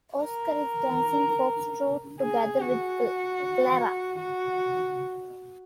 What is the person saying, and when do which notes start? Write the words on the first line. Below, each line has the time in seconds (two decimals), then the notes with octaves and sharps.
Oscar is dancing foxtrot together with Clara.
0.25 A#4
2.20 G#4
2.61 F#4
4.18 F#4